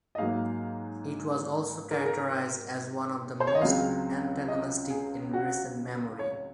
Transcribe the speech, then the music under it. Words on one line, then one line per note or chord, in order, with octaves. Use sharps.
It was also characterized as one of the most antagonistic in recent memory.
D#5
G#2 F#3 A#3 F5
A#4
G#4
A#4
C5
C#5
D#5
C#2 C#3 F#3 C4 F5
D#5
G#4
F#4
C#5